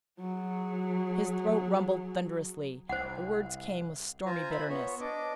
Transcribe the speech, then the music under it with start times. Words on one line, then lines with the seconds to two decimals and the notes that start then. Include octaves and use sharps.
His throat rumbled thunderously; the words came with stormy bitterness.
0.20 F#3 G#4
2.89 C2 C5 F#5
4.26 F4 C5 G#5 A#5
4.50 C5 E5 B5
4.69 B3 C#5
5.01 D4 D#5 D6